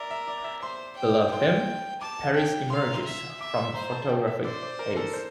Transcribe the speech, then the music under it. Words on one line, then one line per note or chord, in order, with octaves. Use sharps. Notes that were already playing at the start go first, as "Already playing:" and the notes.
Below him, Paris emerges from the photographic haze.
Already playing: A#4 D5 E5
E5
D5
E5
C5 C6
G5
G5 C6
A5 D6
G5
F5 C6
A#5
C6
E5
E5 D6
C6
C5 A#5
A5
G5
E5
C5 D5
D5
A#4
A4
C5